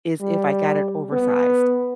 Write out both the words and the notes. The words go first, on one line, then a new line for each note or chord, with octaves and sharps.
is if I got it oversized,
G3
B3